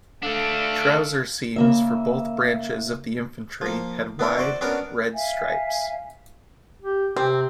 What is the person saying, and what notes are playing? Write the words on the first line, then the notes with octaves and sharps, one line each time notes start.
Trouser seams for both branches of the infantry had wide red stripes.
A3 D4 A4 F5
C#3 A#3 E5
F3 A#3
B3 D4 E4 A#4
F#4 C5 D5
B3 C#4 D4 F#4 A#4 A#5
E5 F5 G#5
G4
C3 C4 G4